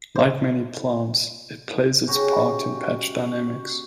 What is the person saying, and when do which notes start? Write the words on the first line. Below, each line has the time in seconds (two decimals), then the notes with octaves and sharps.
Like many plants, it plays its part in patch dynamics.
0.16 C5 C#5
2.07 C#3 F#4 G4